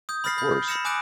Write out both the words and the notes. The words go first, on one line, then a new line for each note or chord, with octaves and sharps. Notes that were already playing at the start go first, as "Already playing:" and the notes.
Of course.
D#6 G6
B5 D#6 F6 A6 A#6 C7
B5 G6
B5 E6 A#6 C#7 E7
G#5 D6 D#6 F#6 A#6 D7